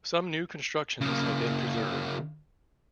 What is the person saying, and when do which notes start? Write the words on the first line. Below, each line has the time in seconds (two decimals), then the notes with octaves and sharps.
Some new constructions have been preserved.
1.01 C#3 A#3